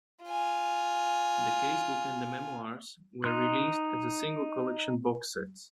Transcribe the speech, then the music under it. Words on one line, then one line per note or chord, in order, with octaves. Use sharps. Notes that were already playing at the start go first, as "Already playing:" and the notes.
"The Casebook and The Memoirs" were released as a single collection box sets.
F4 G#5
D#4 C6 F#6